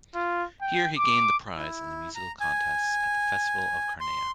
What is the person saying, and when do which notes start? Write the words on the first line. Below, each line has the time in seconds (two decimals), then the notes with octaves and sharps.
Here he gained the prize in the musical contests at the festival of Carnea.
0.15 F4
0.61 G5
0.98 D6
1.57 E4
2.15 A#5
2.40 G#5
4.00 C6